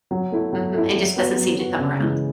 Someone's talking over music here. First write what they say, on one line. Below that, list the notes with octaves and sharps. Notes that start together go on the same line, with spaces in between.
Mhm, it just doesn't seem to come around.
F#3
A3 E4
F#3
A3 E4
F#3
B3 F#4
F#3
B3 F#4
C#3
E3 G#3